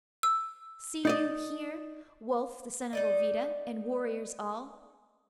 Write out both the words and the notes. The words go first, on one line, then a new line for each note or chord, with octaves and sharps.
'See you here, Wulf the son of Ovida, and warriors all!
E6
D#4 D5 D#5
D#4 D5 D#5